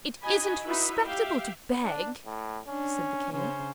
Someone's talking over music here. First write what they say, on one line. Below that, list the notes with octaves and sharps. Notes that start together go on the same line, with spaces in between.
'It isn't respectable to beg,' said the King.
D#4 F#4 D#5 G#5 B5
D#4 E4 F#4 B4 E5 B5
G4 E5 F5 G5
D4
A2
C#4 D4
C#3 C#4 C5